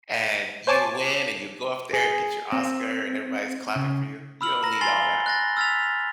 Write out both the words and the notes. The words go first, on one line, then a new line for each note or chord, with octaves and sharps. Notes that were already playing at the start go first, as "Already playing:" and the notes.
and you win, and you go up there, and get your Oscar, and everybody's clapping for you, you don't need all that.
C5 C#5 G#5 A5 D6
G#4
C4
C#3
B5 E6 F6 F#7
A#5 A#6
G#5 C6 A6 C7 F7 G7
F#6 A6 A#6
E6 F6 A6 B6 F7